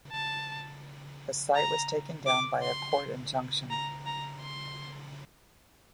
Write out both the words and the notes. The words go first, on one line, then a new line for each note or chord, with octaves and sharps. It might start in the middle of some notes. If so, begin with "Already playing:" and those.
The site was taken down by a court injunction.
A5
A#5
D6
C6
A#5
A#5
C6